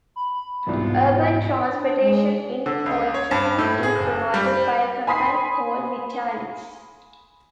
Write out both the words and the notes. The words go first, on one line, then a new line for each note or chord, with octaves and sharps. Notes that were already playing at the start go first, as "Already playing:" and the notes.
Urban transportation in Poitiers is provided by a company called Vitalis.
B5
E1 C2 G#2 B3 F4
D4
G#3
D3
C#2
C#5
G2
A2
G#4
F#1
G3
G#5 B5 C6 D#6 B6 C7